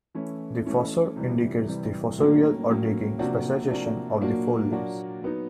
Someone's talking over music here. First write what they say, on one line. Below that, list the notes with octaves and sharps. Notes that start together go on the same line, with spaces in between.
The "fossor" indicates the fossorial, or digging, specialization of the forelimbs.
E3 A3 C#4 E4
E3 A3 C#4 E4
C3 E3 G3
C3 E3 G3
A2 F#3 A#3 C#4
A2 F#3 A#3 C#4
C3 F3 A#3 D4 F#4
C3 F3 A#3 D4 F#4
A#2 F#3 A#3 D4 F#4
A#2 F#3 A#3 D4 F#4
F#3 B3 D#4